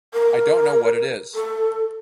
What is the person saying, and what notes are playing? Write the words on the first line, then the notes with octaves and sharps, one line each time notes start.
I don’t know what it is.
A#4
A4